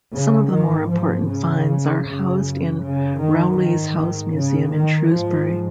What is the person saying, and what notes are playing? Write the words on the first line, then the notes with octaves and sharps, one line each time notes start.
Some of the more important finds are housed in Rowley's House Museum in Shrewsbury.
C#3
G#2 D#3
F3
C#3
F#2 C#3
C#3
D#3
G#2 D#3
D#3
C#3
D#3
G#2 F3